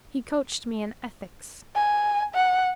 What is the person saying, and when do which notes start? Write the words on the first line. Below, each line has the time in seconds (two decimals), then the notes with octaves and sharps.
"He coached me in ethics."
1.75 G#5
2.34 F#5